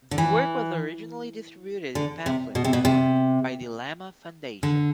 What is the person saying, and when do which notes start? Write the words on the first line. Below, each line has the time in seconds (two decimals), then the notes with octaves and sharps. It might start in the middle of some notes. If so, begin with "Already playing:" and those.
The work was originally distributed in pamphlet form by the Lama Foundation.
0.11 D3
0.18 E3
1.95 D3
2.26 C3
2.55 B2
2.64 C3
2.73 B2
2.85 C3
4.63 D3